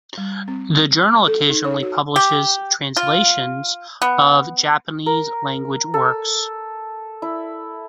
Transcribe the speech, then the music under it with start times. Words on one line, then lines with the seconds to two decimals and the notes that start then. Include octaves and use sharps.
The journal occasionally publishes translations of Japanese language works.
0.18 G3
0.48 C4
1.27 A4
1.50 D#4
1.65 C#5
1.83 F#4
2.16 G4
2.97 F4
4.02 B3
5.06 A#4
5.94 A4
7.22 E4